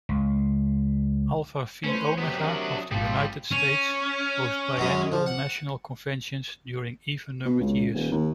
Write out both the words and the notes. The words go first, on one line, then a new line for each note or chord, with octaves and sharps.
Alpha Phi Omega of the United States hosts biennial national conventions during even-numbered years.
C#2
A3 C#4 B4 C5
C3 F#3 B3 G4 D#6
D4 F#4 A#4
G#1 G#2 F3 G3 C4 D#6
C#4
F#2 F#3 G#3
F3
F#5
B2
C#2
D#1
D#2